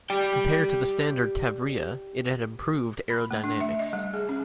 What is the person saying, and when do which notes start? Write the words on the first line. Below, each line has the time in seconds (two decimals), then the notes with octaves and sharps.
Compared to the standard "Tavria" it had improved aerodynamics.
0.10 G4 D5 G5
3.10 B5
3.31 A3
3.44 D4
3.61 E5
3.79 D#5
3.93 G3
4.14 G#4
4.29 C#4